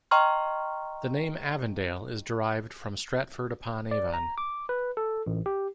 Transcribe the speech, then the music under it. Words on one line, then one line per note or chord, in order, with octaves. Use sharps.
The name Avondale is derived from Stratford-upon-Avon.
D#5 G5 A#5 C6 C#6 F6
D5
A#5
D6
B4
A4
A1
G4